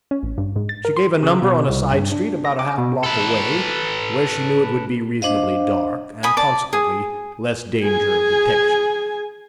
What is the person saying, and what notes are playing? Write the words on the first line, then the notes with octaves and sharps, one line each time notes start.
She gave a number on a side street about a half block away, where she knew it would be reasonably dark, and consequently less danger of detection.
C#4
A1
G2
G#2
A6
A#4
C6
C#3
B2
C2
G2
D4
A#6
D6
B2
A4 B4
D4 C5 D#5 F5
G#5 B5 D#6
D5 A5
G#4
G#4 G#5